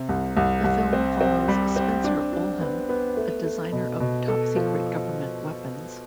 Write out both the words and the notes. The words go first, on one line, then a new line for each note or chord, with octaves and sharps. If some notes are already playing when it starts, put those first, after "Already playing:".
The film follows Spencer Olham, a designer of top-secret government weapons.
Already playing: C3
C2
C2
C2
C4
C4
G3
C4
D4
D4
B3
B3
A3
A3
B2
B2
A4
F3